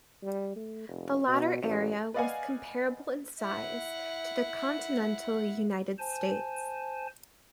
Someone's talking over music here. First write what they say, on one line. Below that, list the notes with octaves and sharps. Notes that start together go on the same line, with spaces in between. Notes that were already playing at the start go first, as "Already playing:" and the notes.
The latter area was comparable in size to the continental United States.
G3
A3
F1
B2
A1
B4 D5 D#5 F5 F#5 G#5
E4 F#5
C5 G#5 A5